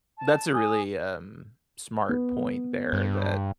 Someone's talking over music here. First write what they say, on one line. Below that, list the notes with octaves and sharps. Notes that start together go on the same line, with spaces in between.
That's a really, um, smart point there that
A5
G#5 D#6
B3
G2